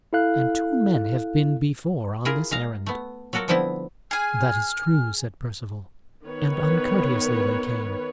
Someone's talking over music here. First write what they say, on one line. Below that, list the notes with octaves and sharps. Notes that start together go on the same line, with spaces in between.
And two men have been before on this errand." "That is true," said Perceval; "and uncourteously they came.
E4 A4 F5 F#6
E4 F4 G#4 A#4
G#3 F5 A#5
A3 B3
F#3 F4 F#4 A4 A#4
D3 F3 G3 B3 C4 E4
G#4 G#5 F6
D#3 B3 B4 C#5